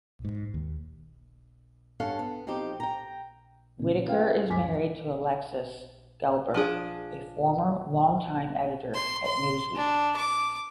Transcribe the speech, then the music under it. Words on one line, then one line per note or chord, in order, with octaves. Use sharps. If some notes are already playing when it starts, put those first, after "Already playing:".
Whitaker is married to Alexis Gelber, a former long-time editor at "Newsweek".
G#2
D#2
G2 C#4 A4 F5 F#5
B3
F3 C4 D#4 G4
G5 A#5
A#2 C#3
C#4 E4 F4 B4 F5 G5
C#2 F#2 G#5 D6 B6
F3 D4 G#4
C6
C6
D4
D6